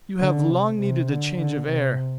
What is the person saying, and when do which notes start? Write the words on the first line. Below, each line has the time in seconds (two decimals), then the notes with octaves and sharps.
You have long needed a change of air.
0.20 D3
0.50 C3
0.79 C3
1.09 D3
1.39 D3
1.69 C3